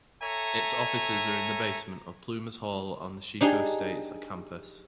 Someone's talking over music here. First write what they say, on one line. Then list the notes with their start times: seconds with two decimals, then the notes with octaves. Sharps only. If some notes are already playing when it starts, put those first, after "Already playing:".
Its offices are in the basement of Plumas Hall on the Chico State campus.
0.23 A4 C#5 E5 G#5 A#5
3.41 D4 D#4 G4 G#4